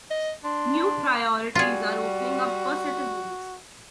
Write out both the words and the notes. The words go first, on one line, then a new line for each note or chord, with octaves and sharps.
New priorities are opening up for citizens.
D#5
D4 C6
G3 F4 F#4 G#4